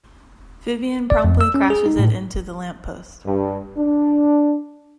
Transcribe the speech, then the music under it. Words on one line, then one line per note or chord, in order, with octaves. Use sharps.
Vyvyan promptly crashes it into the lamppost.
D5
F2
E6
C#4
G#4
D#4
A2
G2
D4